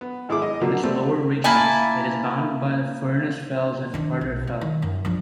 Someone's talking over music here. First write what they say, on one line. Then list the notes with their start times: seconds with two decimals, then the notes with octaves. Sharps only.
In its lower reaches it is bounded by the Furness Fells and Harter Fell.
0.01 B3
0.29 G#1 E4 G#4 D6
0.42 D#5
0.61 D3 F3 F#3 A#3
0.83 G3 A3 B3 C4
1.44 A#3 E4 G#5 A5
3.94 D#3 D4
4.21 B1
4.47 A#3
4.61 D#3
4.82 F#2
5.05 F3 D4